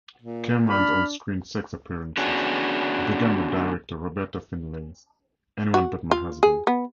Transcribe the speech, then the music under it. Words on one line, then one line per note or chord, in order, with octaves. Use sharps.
Kerman's on-screen sex appearances began with director Roberta Findlay's "Anyone But My Husband".
A#2
D4 B5 F6
D3 B3 C#4 D4 F#4 G#4
F#4
F4
G#4
B3